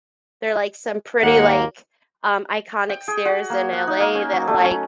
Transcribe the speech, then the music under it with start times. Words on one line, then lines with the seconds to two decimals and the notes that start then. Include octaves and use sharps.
They're like some pretty, like, um, iconic stairs in LA that, like
1.23 D#2 G#2 A#3 F#5
2.89 G5
3.08 G#4
3.25 F#4
3.50 A#3
3.73 F#5
3.87 D#4
4.00 A#3
4.15 C#4
4.33 F#3
4.47 A3
4.64 C#4